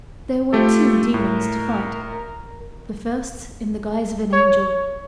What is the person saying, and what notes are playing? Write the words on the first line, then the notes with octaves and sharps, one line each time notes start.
There were two demons to fight--the first in the guise of an angel.
A3 F4 G4 A4
A2 A#4
C#5